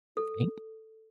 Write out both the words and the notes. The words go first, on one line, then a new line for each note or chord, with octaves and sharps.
You think.
A4